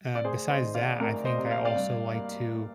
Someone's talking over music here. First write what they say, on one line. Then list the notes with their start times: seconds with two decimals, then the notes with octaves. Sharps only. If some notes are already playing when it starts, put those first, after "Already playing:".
uh, besides that, I think I also like to
0.15 D5
0.24 D2 G#4 C5
0.50 C5 D#5
0.62 D#3
0.74 D5 F5
1.00 D2 A#4 D5
1.25 C5 D#5
1.38 C3
1.51 F5
1.65 D5 F5
1.76 G2
2.13 A#3